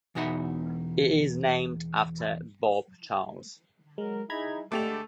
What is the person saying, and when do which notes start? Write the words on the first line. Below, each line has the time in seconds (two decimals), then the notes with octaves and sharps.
It is named after Bob Charles.
0.15 E2 B2 D#4 E5 F#5 B5
3.98 F#3 G#3 A#4
4.30 D#4 E4 G#4 A#5 B5 G#6
4.72 D3 G#3 A3 G4 A4 D6 F7